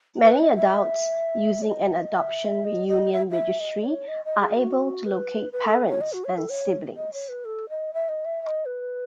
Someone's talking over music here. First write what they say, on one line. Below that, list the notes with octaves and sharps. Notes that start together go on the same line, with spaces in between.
Many adults using an adoption reunion registry are able to locate parents and siblings.
B4
D#5
E5
C#5
D#5
E5
D#5
E5
D#5
D#5
E5
E5
D#5
C#5
D#5
D#5
G#4
F#4
B4
B4
A4
C#5
D#5
F#4
C#5
A4
C#5
D#5
C#5
B4
A4
D#5
E5
D#5
E5
E5
D#5
B4